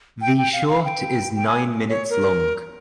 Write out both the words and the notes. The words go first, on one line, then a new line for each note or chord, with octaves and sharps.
The short is nine minutes long.
G5
G5
F5
F5
G5
G5
G#5
C#5
A#4